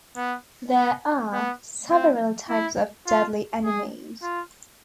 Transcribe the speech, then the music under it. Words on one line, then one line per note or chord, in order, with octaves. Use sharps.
There are several types of deadly enemies.
B3
B3
B3
C4
E4
F4
G#4
F4